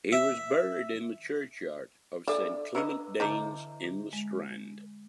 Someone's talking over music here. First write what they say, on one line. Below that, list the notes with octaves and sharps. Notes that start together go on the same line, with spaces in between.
He was buried in the churchyard of Saint Clement Danes in the Strand.
E5
D4 A4 D5 E5
D4 B4 D#5 A#5 E6
D3 E3 A4 D#5 A#5 D6 G6
G#3